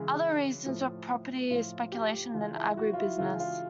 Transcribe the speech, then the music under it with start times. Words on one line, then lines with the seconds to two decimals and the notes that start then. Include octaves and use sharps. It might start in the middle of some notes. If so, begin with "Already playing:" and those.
Other reasons were property speculation and agribusiness.
Already playing: C#3 E3 G#3
0.66 A2 F3 A3
1.50 A2 F3 A3 F4
1.92 G4
2.34 C#3 E3 G#3 F4
2.55 E4
2.77 F#4
2.93 F4
2.98 E4
3.18 C#3 E3 G#3 F4
3.40 F4